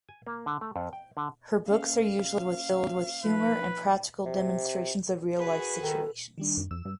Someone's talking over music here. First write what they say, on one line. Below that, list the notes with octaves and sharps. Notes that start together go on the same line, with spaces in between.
Her books are usually filled with humour and practical demonstrations of real life situations.
G#5
A#3
D3
A3
F2
G5
D3
A#3 C#4 F5
F3 A#3 D#4 B4
C3
F#4 G#4 B4
D#3 A4
D#3 G3 D4
F#2
F2 E6
G2